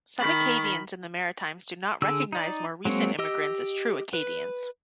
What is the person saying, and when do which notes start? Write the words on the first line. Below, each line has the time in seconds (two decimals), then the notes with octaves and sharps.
Some Acadians in the Maritimes do not recognize more recent immigrants as true Acadians.
0.19 D#3 B5
2.02 D3 G#4 E6
2.33 D#4 D5
2.85 F#3 G#3 A#3 C4 C#5
3.19 G4 D#5 E6
4.13 B4